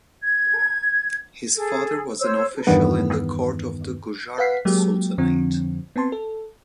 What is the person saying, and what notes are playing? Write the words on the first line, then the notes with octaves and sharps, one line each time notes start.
His father was an official in the court of the Gujarat Sultanate.
G#6
G#4 A4
C5 C#5 E6
E2 G2 D#3 B3
B4 F5 F#5 B6 C7
F#3 G#3 A#3 G4
F2 D3 F3 C4
B3 C4 A5 C6
A4